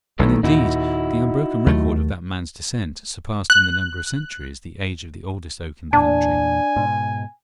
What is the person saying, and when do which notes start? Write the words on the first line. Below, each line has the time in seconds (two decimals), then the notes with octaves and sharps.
And indeed the unbroken record of that man's descent surpassed in the number of centuries the age of the oldest oak in the country.
0.19 B1 D#3 E3 A3
0.43 D#2 A#2 D#4 E4 F#4
1.66 D#2 F#3 A3
3.50 F#6
5.93 E2 A#2 D4 G#5 A5
6.76 G#2 B2